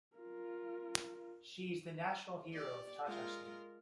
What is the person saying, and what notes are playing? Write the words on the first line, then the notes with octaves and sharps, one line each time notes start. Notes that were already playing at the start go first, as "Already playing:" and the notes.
She is the national hero of Tatarstan.
F4 A#4
G4 D5
G#3 F4 A#4